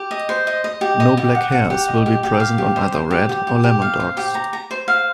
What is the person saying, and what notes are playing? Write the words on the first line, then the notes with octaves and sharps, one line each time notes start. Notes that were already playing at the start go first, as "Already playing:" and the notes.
No black hairs will be present on either Red or Lemon dogs.
Already playing: G4
D#5
C5
D#5
D#5
G4
D#5
G4
F#5
F#5
G4
D#5
G4
G4
F5
G4
C5
C5
G4
G4
G4
G4
F5
C5
G4
A#5
A#5
C5
F5